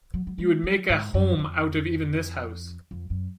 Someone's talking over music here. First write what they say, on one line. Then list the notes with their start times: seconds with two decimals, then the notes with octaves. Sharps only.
You would make a home out of even this house.
0.14 F#3
0.27 F#3
0.38 G#3
0.64 F#3
0.90 G#2
1.14 F#2
1.39 F2
2.91 F2
3.10 F#2